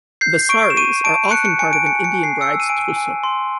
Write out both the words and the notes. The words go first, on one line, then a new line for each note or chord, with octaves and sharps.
The sarees are often part of an Indian bride's trousseau.
G6 C7
C#6 D7
E7
C#6 D#7
A5 D7
F#6 C#7
C#7
G#5 C#7
D7
G#5 C#7
C#7
G#5
C7
E6 C#7
D#7
G#5 D7
G#5
C6